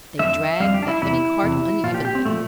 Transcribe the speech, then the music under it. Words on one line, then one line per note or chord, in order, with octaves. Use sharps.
They dragged the heavy cart unevenly.
F2 D3 G3 E5
F2 D3 G3 F5
G4
D4
E4
E2 C3 E3 E4
E2 C3 E3
A#2 F3 F4
G4
G4
C4
A#2 F3 A3